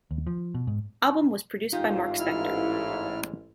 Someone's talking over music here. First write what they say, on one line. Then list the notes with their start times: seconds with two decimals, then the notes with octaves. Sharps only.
Album was produced by Mark Spector.
0.11 D#2
0.27 F3
0.55 B2
0.67 G#2
1.73 A1 G#2 D#4 F4 G4 F5
2.20 E4 F6